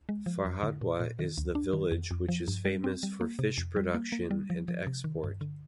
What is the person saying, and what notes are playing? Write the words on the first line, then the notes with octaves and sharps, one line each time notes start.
Farhadwa is the village which is famous for fish production and export.
G#3
F3
F2
D3
A#2
A#2
D#3
D2
D4
D#3
F2
F2
F3
G2
G3
C4
G3
A#3
C3
F2
G3
A#3
A#3
G3
F3
F3
C3
D#3
G2
D3